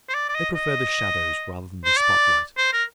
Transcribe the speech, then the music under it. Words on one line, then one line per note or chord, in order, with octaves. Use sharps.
They prefer the shadows rather than the spotlight.
C5
D5
D5
D#5
D#5
C5
D5
C5
A#4